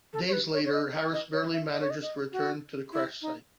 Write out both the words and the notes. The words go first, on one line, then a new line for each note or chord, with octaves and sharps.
Days later, Harris barely manages to return to the crash site.
A4
C#5
B4
C#5
C#5
D#5
D#5
D#5
C#5
E5
D#5
C#5
D#5
D#5
F#4
E4
D#4